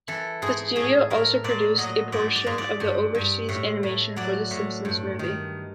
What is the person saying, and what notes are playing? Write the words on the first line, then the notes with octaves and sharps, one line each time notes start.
The studio also produced a portion of the overseas animation for "The Simpsons Movie".
E3 A4
G#2 G#4
A2 G#4
A2 A#4
A#2 D5
F#3 D#5
G#2 D5
D5
G#2
D5
G2
G2
A2
A2
F#3 D5
A2
G2
D#3